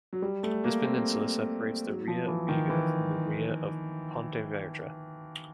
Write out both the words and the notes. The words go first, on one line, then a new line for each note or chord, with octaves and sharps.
This peninsula separates the Ria of Vigo from the Ria of Pontevedra.
F#3
G3
A3
A#3
C4
F#3
F3
E3
D#3
E3